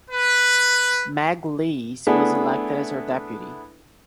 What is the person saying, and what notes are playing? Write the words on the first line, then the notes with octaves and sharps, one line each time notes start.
Meg Lees was elected as her deputy.
B4
A3 B3 D4 E4 G#4